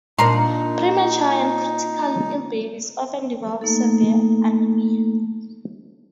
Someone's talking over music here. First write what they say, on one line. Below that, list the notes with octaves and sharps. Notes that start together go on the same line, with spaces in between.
Premature and critically ill babies often develop severe anemia.
A#2 D4 D#4 A#4 A#5 C6
A3 A#3 D#4 A4